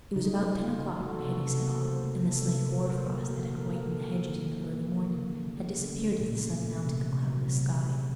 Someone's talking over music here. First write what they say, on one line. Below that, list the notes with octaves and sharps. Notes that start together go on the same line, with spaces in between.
It was about ten o'clock when Hetty set off, and the slight hoar-frost that had whitened the hedges in the early morning had disappeared as the sun mounted the cloudless sky.
C#3 D#4
A3
C#3 F4
C#3
F#3 F#4
A4
F#4
C3
C3 A4
F#4
A#3 A4
F#3 C5
A3
C3 A4
C3
A4
A#2 A#4
F#3 C5
A#3 A#4
A4
A#3 F#4
D#3 A4
A#4
D#3 A4
D#3 A4
A#3
D#3
A#3
A#3
A#3
C#3
C#3
A3
C#3
A3
A#2
A3
A3
C3
C3
F#3
C3
C#3
A3